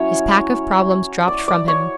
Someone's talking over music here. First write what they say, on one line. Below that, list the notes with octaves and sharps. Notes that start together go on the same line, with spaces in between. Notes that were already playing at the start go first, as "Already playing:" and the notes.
His pack of problems dropped from him.
Already playing: F#3 C#4 E4 C#5
D5
D5
C#5